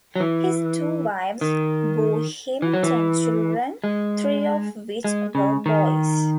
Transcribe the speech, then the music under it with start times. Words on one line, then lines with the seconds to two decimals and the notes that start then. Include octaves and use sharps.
His two wives bore him ten children, three of which were boys.
0.16 F#3
0.20 E3
1.41 D#3
2.62 E3
2.74 F#3
2.83 E3
3.84 G#3
5.04 G#3
5.35 C#3
5.66 D#3